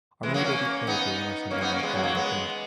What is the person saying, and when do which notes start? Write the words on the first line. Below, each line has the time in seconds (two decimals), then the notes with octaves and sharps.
or maybe they do play a game, or something like that. I think
0.23 E3 G#3
0.34 F#3 A#3
0.44 A#3 C#4
0.87 B3 D#4
1.51 A#3 C#4
1.61 B3 D#4
1.72 A#3 C#4
1.83 G#3 B3
1.93 F#3 A#3
2.04 F#3 A#3
2.15 G#3 B3